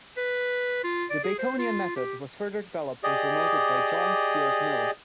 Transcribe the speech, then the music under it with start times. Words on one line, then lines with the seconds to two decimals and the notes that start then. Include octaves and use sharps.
The Baconian method was further developed and promoted by John Stuart Mill.
0.17 B4
0.84 F4
1.10 D5
1.24 G#4
1.38 C5
1.59 F4
1.96 G4
3.04 G4 G#4 D5 D#5